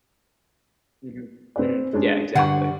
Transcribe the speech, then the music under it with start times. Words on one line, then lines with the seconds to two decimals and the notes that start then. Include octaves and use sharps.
Mhm. Mhm. Yeah, exactly.
1.56 C4 B4 D5
1.93 G#3 C#4 D4
2.35 G2 D3 G3 F#5 C#6